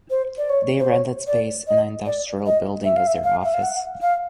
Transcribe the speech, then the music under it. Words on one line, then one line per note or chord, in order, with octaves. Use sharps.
They rented space in an industrial building as their office.
C5
D5
C#5
C5
C#5
D5
D#5
D5
D#5
E5
F5
E5
F5
E5
F5
F#5
F5